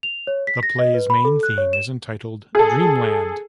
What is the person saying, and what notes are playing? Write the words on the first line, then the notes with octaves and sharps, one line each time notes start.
The play's main theme is entitled 'Dreamland'.
F7
C#5
B6
A#6
D#5
B4
B5
A4
F#6
C#5
E7
G#4 A4